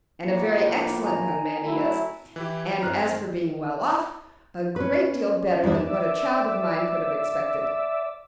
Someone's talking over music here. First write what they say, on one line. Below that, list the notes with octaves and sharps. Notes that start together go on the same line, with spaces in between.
And a very excellent young man he is,--and as for being well off, a great deal better than what a child of mine could have expected.
A2 F3 A#3 C#7
G#5 A#5
F#3 A3 E4
E3 E4 G4
G2 D#3 C4 A#5 F6 F#6
C#4 B4
E2 G3 D4 E4
D5 E5